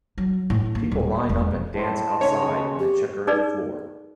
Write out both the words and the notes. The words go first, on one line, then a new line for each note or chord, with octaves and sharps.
People line up and dance outside on a checkered floor.
F#3
A2
A#3
D#1
E1
A2 D#5 A5 C6
C#3 C#5
G4
D#4 G#4 B4 D5